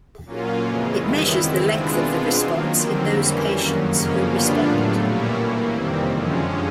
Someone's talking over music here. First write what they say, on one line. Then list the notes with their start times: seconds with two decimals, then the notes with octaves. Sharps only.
It measures the length of the response in those patients who responded.
0.24 A#2 F#3 A#3 C#4 F4
0.61 F2 C#3 E3 G#3
0.98 D#3 G3 B3 E4
1.35 D#3 G#3 C4 E4
1.70 B2 G#3 B3 D4 F4
2.08 B2 G#3 C4 F4
2.44 D#3 F#3 A#3
2.81 F2 D3 G3 C4
3.17 E3 G3 A#3 C#4
3.53 F#2 D#3 F#3
3.90 F2 C#3 F3 A#3 C#4
4.27 D3 G3 B3 D4 F4
4.63 A2 F#3 A3
5.00 A#2 G3 A#3 C#4 E4
5.37 E3 G3 A#3
5.73 F2 C3 D#3 G3 C4
6.10 F#2 D3 F3 G#3 C#4